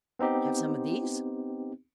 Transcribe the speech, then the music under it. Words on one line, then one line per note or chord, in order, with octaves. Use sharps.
"Have some of these?"
B3 C4 D#4 G4